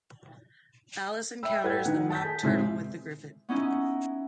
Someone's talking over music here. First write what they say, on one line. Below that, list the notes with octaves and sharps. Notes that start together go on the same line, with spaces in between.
Alice encounters the Mock Turtle with the Gryphon.
E5 G5 B5 E6
A2 A4 B4 F#5 G5 G#6
D#3 D#4 F#5
A5 G6 B6
G#4
G#2 C3 G#3 C4 E4
B3 C#4 D#4 E4